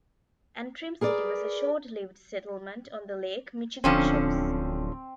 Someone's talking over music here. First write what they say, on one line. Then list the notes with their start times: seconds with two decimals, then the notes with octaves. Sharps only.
Antrim City was a short-lived settlement on the Lake Michigan shores.
1.01 G#4 A#4 B4 D5
3.84 D1 D3 F3 C4 C#4